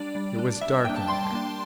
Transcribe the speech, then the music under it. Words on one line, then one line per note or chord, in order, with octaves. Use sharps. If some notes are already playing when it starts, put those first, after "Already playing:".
It was dark in there.
Already playing: G3 D4 D5
G3
D4
G3 E5
A#3 D4 G5
A5
G3 C6
A#3 D4